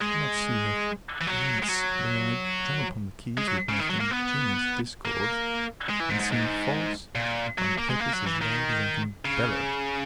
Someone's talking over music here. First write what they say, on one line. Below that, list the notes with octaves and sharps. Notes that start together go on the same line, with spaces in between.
I do not see her wince, though I drum upon the keys with most ingenious discords, and sing false on purpose as loud as I can bellow.
G#3
E3
F#3
G#3
F#3
G#3
F#3
C#3
D#3
F#3
A#3
B3
A#3
G#3
E3
G#2
G#2
G#2
A#2
F#3
A#3
G#3
A#3
F#3
E3
D#3
C#3